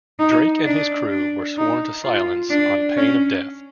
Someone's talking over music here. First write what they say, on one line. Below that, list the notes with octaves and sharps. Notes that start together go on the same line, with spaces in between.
Drake and his crew were sworn to silence on pain of death.
D#4
D4
D4
D#4
F4
D4
C#4